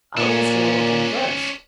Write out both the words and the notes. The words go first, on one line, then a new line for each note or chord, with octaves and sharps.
'Oh, let us get our work done first.'
A#2 C#4 D4